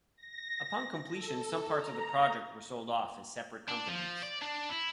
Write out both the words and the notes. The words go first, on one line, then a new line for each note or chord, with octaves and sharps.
Upon completion some parts of the project were sold off as separate companies.
A#6
A4
A#5
D4
F3
D5
D4
E4